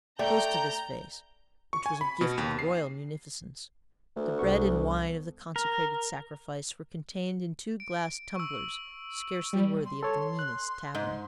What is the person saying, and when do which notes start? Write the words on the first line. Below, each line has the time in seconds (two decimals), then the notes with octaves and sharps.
Close to this vase, which was a gift of royal munificence, the bread and wine of the consecrated sacrifice were contained in two glass tumblers scarcely worthy of the meanest tavern.
0.19 A3 D5 G5 A#5 G6
1.73 C#6
1.86 G#5
2.01 B5
2.21 B2
2.38 D#2
2.59 C7
4.16 D2 A3
4.39 C2 B3 C#6
5.56 A#4
7.80 D7
8.36 C#6 E6
9.53 G3
9.85 C6
10.03 A4 C#5
10.39 F#6
10.95 G#2